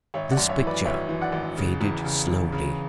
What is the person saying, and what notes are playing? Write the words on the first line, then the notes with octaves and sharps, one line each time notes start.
This picture faded slowly.
G#1 C#5 E5
D5 F#5
F#2
C#5 E5
E3
B4 D5
G#1 C#5 E5
E3
D5 F#5
G#1
C#3
E2
C#3
E2
C#3